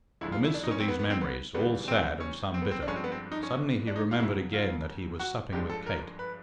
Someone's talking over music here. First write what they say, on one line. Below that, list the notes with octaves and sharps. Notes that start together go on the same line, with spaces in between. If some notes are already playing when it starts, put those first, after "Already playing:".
In the midst of these memories, all sad and some bitter, suddenly he remembered again that he was supping with Kate.
D2 D3 F3 G#3 E4
F4
E4
D4
D#4
C#4
C4
B3
B3
C4
B3
E2 C#3 E3 G3 B3
C4
C#4
C4
B3
C4
D4
G1 G2 D3 F3 G#3 C#4
C4
B3
C4
D#4
C#4
D4
D#4
F4
F2 C#3 F#3 E4
F4
F#4
G1 G2 D3 F3 G#3 G4
A4
A#4
B4